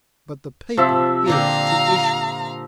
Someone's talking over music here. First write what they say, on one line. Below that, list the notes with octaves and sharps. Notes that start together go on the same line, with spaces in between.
But the paper is to issue.'
C3 F3 E5 E6
A#2 D3 G4 F5 A#5